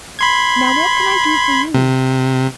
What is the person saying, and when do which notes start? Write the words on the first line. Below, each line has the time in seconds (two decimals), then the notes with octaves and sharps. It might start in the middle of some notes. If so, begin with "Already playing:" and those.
"Now what can I do for you?"
0.19 B5 C6 G#6
1.74 C3